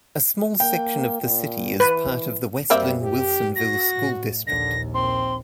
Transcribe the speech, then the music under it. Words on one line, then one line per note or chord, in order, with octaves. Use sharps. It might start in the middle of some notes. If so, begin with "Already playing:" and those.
A small section of the city is part of the West Linn-Wilsonville School District.
A#3 G5
A#2
E3 B4
F#2 G3 A#3 C4 E5
G4
F#4 A#6
A2
A#1 D#2 D3 A#6
C4 C6